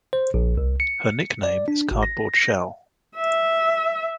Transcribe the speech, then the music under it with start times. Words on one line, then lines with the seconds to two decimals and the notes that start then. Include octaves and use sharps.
Her nickname is "Cardboard Shell".
0.13 C5
0.34 A#1
0.57 C2
0.80 C#7
1.43 D5
1.68 D4
1.91 G#1
2.03 A#6
2.34 A#6
3.16 E5